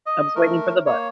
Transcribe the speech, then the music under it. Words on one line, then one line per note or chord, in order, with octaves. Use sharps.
I was waiting for the "but."
D#5
A3 A#4
A#3 C#5